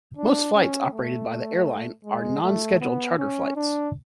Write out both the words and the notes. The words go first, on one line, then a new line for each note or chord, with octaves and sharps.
Most flights operated by the airline are non-scheduled charter flights.
D4
C#4
A3
G#3
A3
B3
C#4
D4